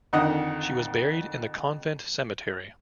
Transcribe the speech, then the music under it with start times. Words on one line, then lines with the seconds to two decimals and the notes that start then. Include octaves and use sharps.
She was buried in the convent cemetery.
0.13 F2 D3 D#3 D#4 D#5 F#5